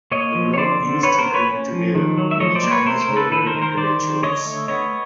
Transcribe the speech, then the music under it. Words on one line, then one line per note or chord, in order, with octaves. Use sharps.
The blog used to bring together many Chinese liberal intellectuals.
A#3 C#5 D#5
F3
C#5
D3 C5 D5
D3
B3 B4 C#5
A#4 C5
B3
B4 C#5
C#4
F3
D#3
F#3
E5
F3 C#5 D#5
C5 D5
A#3
B4 C#5
A3 A#4 C5
A#4 C5
C#3
A4 B4
D#3 A4 B4
A#4 C5
D#3
A#4 C5
D#3 C5 D5
D#3
D3 C#5 D#5
A3
B3 C#5 D#5